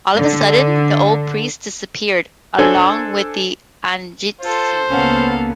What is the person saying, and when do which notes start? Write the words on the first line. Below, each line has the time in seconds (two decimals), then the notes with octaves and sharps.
All of a sudden the old priest disappeared along with the "anjitsu".
0.17 D3
2.59 D4 A4 C5 G#5
4.41 F4 A4 C5
4.90 C#2 A#3 B3 C#4 A4 F5 F#5